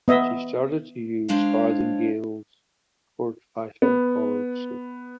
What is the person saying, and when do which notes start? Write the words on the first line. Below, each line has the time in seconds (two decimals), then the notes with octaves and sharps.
When she started to use farthingales, court fashion followed suit.
0.08 B3 D#5 E5
1.28 G#3 D4 C5 C#5 F5
3.82 B3